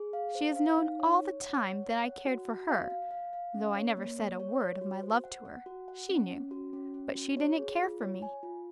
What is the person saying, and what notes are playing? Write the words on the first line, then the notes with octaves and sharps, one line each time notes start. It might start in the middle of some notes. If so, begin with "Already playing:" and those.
She has known all the time that I cared for her--though I never said a word of my love to her--she knew, but she didn't care for me.
Already playing: G#4
F5
C5
F5
D#4
C#5
C#5
F#5
C#5
C#5
F#5
F#4
F#4
F5
F5
F5
F5
C#4
C#5
A#3
C#5
C#5
C#5
F#4
C5
F#5
F#5
F#4
F#5
C#4
C#4
F#4
C#4
C#4
F#4
C#5
G#4
F4
C#5
G#5
F4